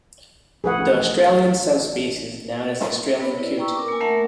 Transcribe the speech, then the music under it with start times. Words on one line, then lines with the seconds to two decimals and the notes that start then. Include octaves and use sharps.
The Australian subspecies is known as the Australian coot.
0.64 A1 F3 A3 G#4 B4 F#5
3.20 B3 B4 C#5
3.39 E4 B4 D5
3.58 G5 A#5 C#6 E6
3.75 A#4 D6
3.88 A#3 G#5
4.01 A3 A#3 D4 A#4 E5 F#5